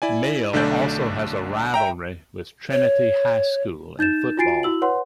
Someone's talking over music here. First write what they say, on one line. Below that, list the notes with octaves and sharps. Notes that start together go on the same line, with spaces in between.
Male also has a rivalry with Trinity High School in football.
E4 D5 G#5
B1 D3 A3 D4 D5 G6
E5 G5 A#5
C#5
D#4 G6 A6 E7
F4 F#4 G#5 A6 C7 D7
E4 F#4 E6 F#7
B4 C#5 F#5 C6